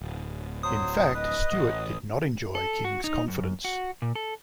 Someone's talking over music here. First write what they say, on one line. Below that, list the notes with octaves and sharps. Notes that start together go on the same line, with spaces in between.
In fact, Stewart did not enjoy King's confidence.
D1
F#3 C5 D#6
B4 D#5
A1 F#4
A4
F#4
D#4
F#2
F#4
A#2
A4